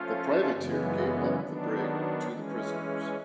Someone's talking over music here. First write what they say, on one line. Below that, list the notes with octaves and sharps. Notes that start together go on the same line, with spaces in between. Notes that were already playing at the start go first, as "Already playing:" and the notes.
The privateer gave up the brig to the prisoners.
Already playing: F3 A3 C#4 F4
F#2 C#3 E3 G#3 B3
D#3 F#3 B3 D4
E3 G#3 C#4